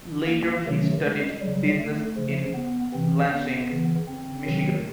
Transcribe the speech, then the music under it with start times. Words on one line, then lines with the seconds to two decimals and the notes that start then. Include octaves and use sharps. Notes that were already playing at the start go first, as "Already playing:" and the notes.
Later, he studied business in Lansing, Michigan.
0.26 A#3
0.65 C3 D#3 F#3 A3
1.02 G#3
1.41 C#3 F#3 G3
1.79 A3
2.17 C#3 F3
2.54 B3
2.94 C3 E3 C4
3.31 B3
3.70 C#3 E3
4.07 C4
4.45 C3 D#3 F#3